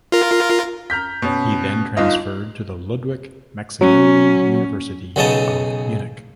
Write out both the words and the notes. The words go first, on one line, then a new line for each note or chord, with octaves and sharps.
He then transferred to the Ludwig Maximilian University of Munich.
F4 A#4
A#5 F6 G6 B6
B2 C#4
G1 D#4 F4 D#5
F#3 C#4
B1 C#3 B3 C#4 D#4 A5